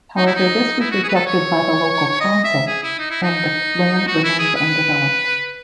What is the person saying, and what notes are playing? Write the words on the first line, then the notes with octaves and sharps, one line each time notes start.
However this was rejected by the local council and the land remains undeveloped.
D#4
E4
D#4
E4
F#4
G#4
B4
A4
C#5
D#5
E5
G#4
E4
D#4
E4
D#4
F#4
E4
G#4
B4